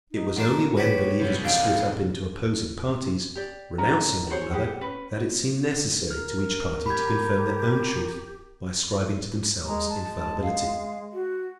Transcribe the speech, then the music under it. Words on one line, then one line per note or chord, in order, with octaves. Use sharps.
It was only when believers were split up into opposing parties, renouncing one another, that it seemed necessary to each party to confirm their own truth by ascribing to themselves infallibility.
D#4
F#2 D4 C5 A#5
F#4 G4 B4 C#5
C3 G3
C3 D#3 D4 D#4 F5 G5
G4 D5
C#4 A#4 D#5 A#5
F#4 G#4 C5 C#5
G4 G#4 B4 F#5
C#4 B4
A#4 F6
G4 B5 G#6
G#3 A#5
G#3 A5
F5
F#4